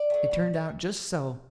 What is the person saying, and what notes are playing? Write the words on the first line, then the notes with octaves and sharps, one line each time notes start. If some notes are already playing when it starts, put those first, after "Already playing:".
It turned out just so.
Already playing: D5
F#3 A3
B2
A3